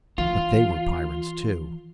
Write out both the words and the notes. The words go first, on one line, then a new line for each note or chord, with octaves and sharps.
But they were Pyrrans, too.
E3 F4